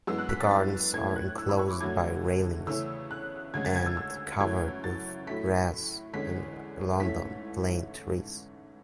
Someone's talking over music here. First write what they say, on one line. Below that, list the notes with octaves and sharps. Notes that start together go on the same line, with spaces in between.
The gardens are enclosed by railings and covered with grass and London plane trees.
F#2 E3 G#3 B3 E6
F#6
B6
A6
A6
A2 E3 A3 C#4 G#6
F#6
E6
B5
C#6
D6
D2 D3 F#3 A3 G#6
E2 C#3 E3 A3 C#4 E6
F#6
D2 C#3 G#3 G#6
A6
G#6
E6
E6
F#2 E3 A3 C#4 G#6
A6
A2 F#3 A3 B6
E2 D3 G#3 C#4 B6
G#2 E3 A3 C#4 B6